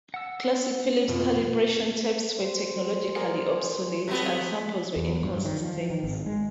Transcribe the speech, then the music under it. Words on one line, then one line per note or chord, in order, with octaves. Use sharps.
Classic Philips calibration tapes were technologically obsolete and samples were inconsistent.
F#5 E6
F2 B2 F4
C5
G#4 A#4 D5
F#3 G3 A3 B3 C4
E2
G2
D#3
F3
D#3
G#1
G#3